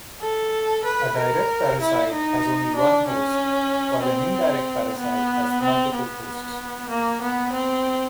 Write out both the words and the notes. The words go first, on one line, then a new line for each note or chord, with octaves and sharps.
A direct parasite has only one host while an indirect parasite has multiple hosts.
A4
B4
A#4
E4
D#4
D4
C#4
C4
B3
C4
B3
A#3
B3
C4